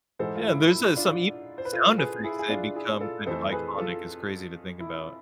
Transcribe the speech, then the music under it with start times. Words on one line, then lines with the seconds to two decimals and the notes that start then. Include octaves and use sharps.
Yeah and there's, uh, some e sound effects that become kind of iconic, it's crazy to think about.
0.19 G#2 E3 G#3 A4 C5
0.36 F4
0.46 E4
0.71 E4
0.97 D4 F4
1.58 C5
1.65 B4
1.73 F4 A4
1.98 G#4 B4
2.24 E4 G#4
2.39 G#4
2.50 D4 F4
2.75 E4 G#4
3.01 F4 A4
3.26 F2 E3 A3 A4 C5
3.52 G#4 B4
3.78 F4 A4
4.80 E4